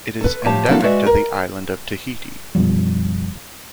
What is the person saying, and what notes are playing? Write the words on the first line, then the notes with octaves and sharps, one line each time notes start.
It is endemic to the island of Tahiti.
A4 B4
A2 F3 G4 C#5 A5
F3 F#3 A#3 D4 E4 A4
G#3 F#4 B4 D5 E5
A#4
F#2 B2 F3 G3